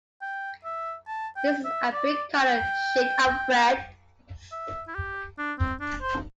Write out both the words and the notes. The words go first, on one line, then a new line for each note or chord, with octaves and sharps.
This is a brick-colored shade of red.
G5
E5
A5
G5
E5
D5
G5
E5
E4
G4
D4
C4
D4
C5